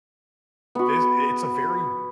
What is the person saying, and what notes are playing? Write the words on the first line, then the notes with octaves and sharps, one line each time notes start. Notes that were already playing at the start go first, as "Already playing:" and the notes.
this it's a very
B3 F#4